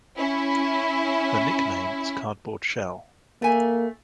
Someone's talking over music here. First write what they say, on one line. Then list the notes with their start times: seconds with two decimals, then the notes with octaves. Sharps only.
Her nickname is "Cardboard Shell".
0.18 C#4 E4
3.42 A3 A#3 G#5